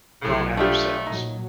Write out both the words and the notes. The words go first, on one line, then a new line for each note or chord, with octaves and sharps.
grown out of sales.
B1 A2 C#3 F#3
F2 A3 D4 F4 G4
A#2 F#3 D#4